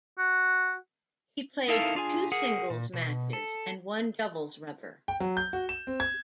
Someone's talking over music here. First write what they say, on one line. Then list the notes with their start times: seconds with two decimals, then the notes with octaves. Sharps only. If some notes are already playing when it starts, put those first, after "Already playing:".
He played two singles matches and one doubles rubber.
0.18 F#4
1.68 D#4 E4 A4 A#4 F5 A5
1.95 D4 F4 G#4 G#5
2.32 G#4 A#4 F#5
2.70 A#2
2.93 B2
3.33 A4
5.08 G5
5.20 F#3
5.37 G6
5.53 F#4
5.69 E7
5.87 C4
6.00 G#6